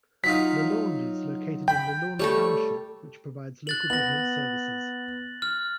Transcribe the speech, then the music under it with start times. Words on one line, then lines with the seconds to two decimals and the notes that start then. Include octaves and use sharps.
Leland is located in Leland Township, which provides local government services.
0.24 F#3 D#4 F4 B6
1.68 G5 B5
2.19 G3 A3 A4 C#5
3.67 F#6 A6 F#7
3.90 B3 A#6 F#7
5.42 F6